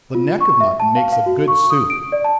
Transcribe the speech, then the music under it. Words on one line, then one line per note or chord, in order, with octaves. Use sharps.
The neck of mutton makes a good soup.
F4
C#6
E5
A5
F5
F5
F#4
C#6
D#6
D7
D5
A5